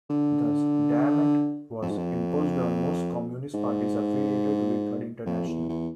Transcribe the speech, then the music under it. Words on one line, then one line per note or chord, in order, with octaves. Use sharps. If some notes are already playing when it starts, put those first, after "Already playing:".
Thus, "diamat" was imposed on most Communist parties affiliated to the Third International.
D3
F2
G#2
F2
G#2
F2
E2
E2